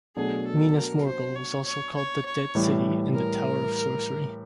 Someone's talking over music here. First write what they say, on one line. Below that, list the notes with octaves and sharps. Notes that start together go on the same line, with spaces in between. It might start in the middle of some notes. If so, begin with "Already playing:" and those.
Minas Morgul was also called the Dead City and the Tower of Sorcery.
B2 F#3 A3 D4 G#4
A4
A#4
C5
C#5
C#5
C#5
C#5
A2 E3 G3
A#4